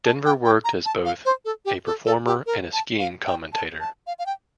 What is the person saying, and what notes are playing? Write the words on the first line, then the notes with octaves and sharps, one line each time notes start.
Denver worked as both a performer and a skiing commentator.
A5
G5
G5
A#5
A5
F5
C5
A4
G4
A4
A4
G4
A#4
A5
F5
G5
A5
A5
F5
F5
G5